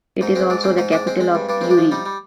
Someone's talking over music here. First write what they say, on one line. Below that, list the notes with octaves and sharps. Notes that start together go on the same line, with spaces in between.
It is also the capital of Uri.
G#2 D#4
G#3 C4
G#2 D4
G#3 C4
G#2 D#4
G#3 D4
G#3 C4
G#3
G2
G2 D4
G#3 C4
D4
F3
G3 D#4
G3